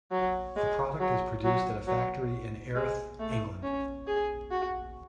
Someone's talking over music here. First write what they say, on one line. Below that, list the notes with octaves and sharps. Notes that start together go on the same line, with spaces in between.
The product is produced at a factory in Erith, England.
F#3
G#3
F#3
F#3
F#3
G#3
A3
C#4
G#4
F#4